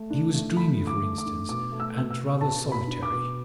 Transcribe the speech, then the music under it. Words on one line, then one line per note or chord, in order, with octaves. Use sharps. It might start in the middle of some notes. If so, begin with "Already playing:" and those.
He was dreamy, for instance, and rather solitary.
Already playing: A3
D4
A3
D3 B5
D3
D6
A3
D6
D4
B2 D6
A3
E6
B2
E6
B2
B2 A5
B2
B5
D4
D6
B2